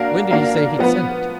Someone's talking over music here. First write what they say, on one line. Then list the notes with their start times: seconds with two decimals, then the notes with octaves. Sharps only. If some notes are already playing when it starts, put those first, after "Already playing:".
"When did he say he'd send it?"
Already playing: A#3 D4 F#4 A#4 F5
0.31 A#3 D4 F#4 A#4 F5
0.79 F3 B3 F4 B4